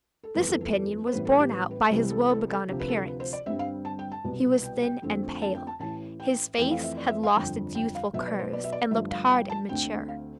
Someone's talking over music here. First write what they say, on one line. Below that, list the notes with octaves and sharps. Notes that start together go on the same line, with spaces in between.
This opinion was borne out by his woebegone appearance. He was thin and pale; his face had lost its youthful curves and looked hard and mature.
A4
G1 F2 E3 B3 B4
A4
A4
A4
C5
A1 A2 G3 B3 B4
A4
G4
B4
B4
C2 C3 E3 G3 B4
A4
A4
A4
D2 C3 F3 G4
B4
A4
B4
C5
D5
G1 G2 D3 G3 C4 E5
F5
A5
G5
A5
C2 B2 B3
G5
G5
F2 D3 A3 C4
A5
G5
A5
A1 A2 E3 A5
G5
F2 E3 A3 C4 G5
F5
E5
D5
E5
F5
G1 F2 D3 G5
G5
F5
B1 B2 B3 E5
D5
C5
D5
E5
D5
G1 G2 F3 A3 E5
F5
G5
A5
D2 D3 A3 C4 G5
F5